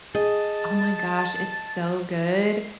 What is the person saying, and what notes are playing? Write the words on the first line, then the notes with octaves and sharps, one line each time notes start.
oh, my gosh, it's so good,
G#4 D#5 A5